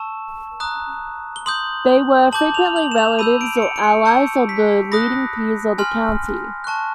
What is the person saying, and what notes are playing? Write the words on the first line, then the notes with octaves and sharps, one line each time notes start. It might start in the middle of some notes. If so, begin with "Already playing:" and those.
They were frequently relatives or allies of the leading peers of the county.
Already playing: A5 C#6 E6 E7
A#5 D#6 F#6
G7
C6 D#6 G6 F#7
A5 D6 G6 F#7
F7
F#7
E7
F7
B5 E6 G6 D#7
D7
C#7
D7
D7
C#7
A5 C#6 E6 G6 C#7
B6
B5 D#6 F#6 A#6
G#5 C6 F6
A5 C#6 F#6